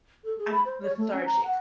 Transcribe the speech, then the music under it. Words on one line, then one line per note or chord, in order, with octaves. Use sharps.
I'm lethargic.
A4
G#4
B5
C5
C#5
A3
C#4
A#5
F#5